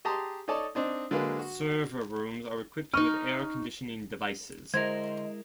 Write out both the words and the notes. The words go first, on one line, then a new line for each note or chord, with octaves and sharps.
Server rooms are equipped with air conditioning devices.
G4 G#4 A5 A#5 C6 D#6
D#4 A4 C#5 D5 A5
C4 D4 D#4
D3 F#3 G#3 A#3 B4
F#4
D#4 D#5 C#6 F6
D3 G#3 E4 A#4 C5 D#5 G#6